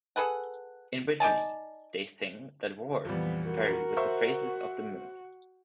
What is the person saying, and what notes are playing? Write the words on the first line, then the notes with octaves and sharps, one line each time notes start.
In Brittany they think that warts vary with the phases of the moon.
G#4 A4 B4 F#5
D#4 D5 G#5 A5
F2 A#2 E3 G3 B3
F#4 A#4
C5 E5 C#6